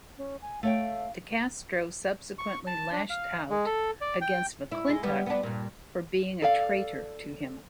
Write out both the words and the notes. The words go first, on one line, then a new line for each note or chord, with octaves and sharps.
De Castro subsequently lashed out against McClintock for being a "traitor" to him.
C#4
G#5
A3 C#5 F5 G5
C#6
A5
D4
F5
G#3
A4
D5
G5
E4
G#3
G3 B3
B3 D4
G2 A#2
A4 D5 F5